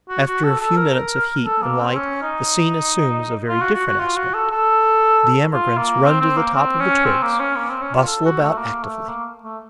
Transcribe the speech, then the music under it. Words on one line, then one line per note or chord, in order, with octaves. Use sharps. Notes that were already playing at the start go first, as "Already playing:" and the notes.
After a few minutes of heat and light, the scene assumes a very different aspect. The emigrants run to the top of the twigs, bustle about actively.
F#4
F#4
A4
A4
A#4
A4
A#3
C4
C#4
D#4
F4
F#4
F#4
F#4
F4
F#4
A4
A4
F4
A#3
C4
C4
A#3
C4
C#4
C4
A#3
C#4
A#3
C4
C#4
F4
A4
F#4
A3
A#3
A3
A#3
A3